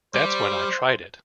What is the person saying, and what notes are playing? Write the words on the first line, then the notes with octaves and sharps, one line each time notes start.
That's when I tried it.
G3 C5